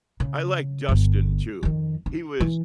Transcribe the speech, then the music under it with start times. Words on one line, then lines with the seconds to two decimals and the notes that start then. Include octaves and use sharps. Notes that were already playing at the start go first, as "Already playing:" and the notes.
I like Dustin too. He was
0.20 C#3
0.88 G1 D3
1.63 F2 D#3
2.06 D4
2.40 E3